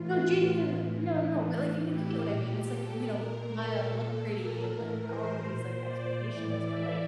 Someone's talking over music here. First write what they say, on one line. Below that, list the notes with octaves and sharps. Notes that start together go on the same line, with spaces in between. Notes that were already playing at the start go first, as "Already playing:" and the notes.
No, genuinely. No no, but, like, you you get what I mean, it's like, y you know, smile, look pretty, and, like, all of these, like, expectations. But like,
Already playing: A2 E3 F4
A2 E3
A2 E3
G4
A#2
A4
A#2 A#4
A4
A#2
A#4
A2 E3
C5
A#2
D5
A2 E3
E5